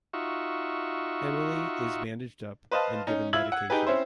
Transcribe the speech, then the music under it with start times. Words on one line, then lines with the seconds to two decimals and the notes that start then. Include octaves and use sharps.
Emily is bandaged up and given medication.
0.13 D#4 F4 F#4 E5 C#6
2.71 B4 C5 D#5 F5 A5
3.07 C#4 D#4
3.33 E4 F4 E6 G#6 F#7
3.52 F#5
3.70 D#4 G4 G#4 B4
3.87 C4 C#4 E4 C5